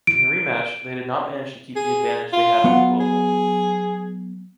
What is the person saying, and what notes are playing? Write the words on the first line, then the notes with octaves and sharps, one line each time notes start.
In the rematch, they did not manage to keep the advantage they had on the global.
D7
G#4
F4
F#3 B3 F#5
G#4